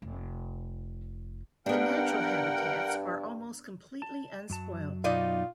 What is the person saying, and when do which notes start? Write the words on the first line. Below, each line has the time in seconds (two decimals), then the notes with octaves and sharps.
The natural habitats are almost completely unspoilt.
0.02 F1
1.66 G2 B3 D4 A#4 F#5 G5
4.02 A5
4.50 F#2 F#3 A5
5.04 B2 D#4 F4 D5